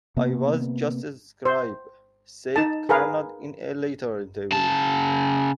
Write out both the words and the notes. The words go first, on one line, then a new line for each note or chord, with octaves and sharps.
I was just the scribe, said Karnad in a later interview.
C3 A#3 B3
C5
D#4 A5
G#4 A#4 B4 F5
C#3 A5